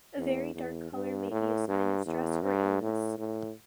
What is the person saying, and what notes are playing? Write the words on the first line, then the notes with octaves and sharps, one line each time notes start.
A very dark color may be a sign of stress or illness.
E2
E2
G2
A2
G2
E2
G2
A2
A2